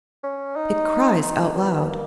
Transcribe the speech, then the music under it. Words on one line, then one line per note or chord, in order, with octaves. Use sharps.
It cries out aloud.
C#4
D#4
D#4
B3
A#3